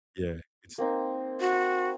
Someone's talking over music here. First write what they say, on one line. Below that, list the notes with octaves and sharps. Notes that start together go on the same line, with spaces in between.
yeah, it's
A#3 C4 D#4
F#4
A#5